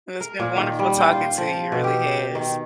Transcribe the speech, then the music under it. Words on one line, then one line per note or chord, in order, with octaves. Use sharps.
Well it's been wonderful talking to you, it really has.
A#4
A#2
D#3
G3
G5
F4
F3
B2
G4
G5
D#3